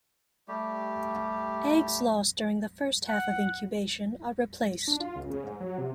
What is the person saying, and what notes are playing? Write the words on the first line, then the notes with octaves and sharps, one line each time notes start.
Eggs lost during the first half of incubation are replaced.
G3 A3 G4
F#5
D4
F4
C#2
C#3
G#2
F#3
C3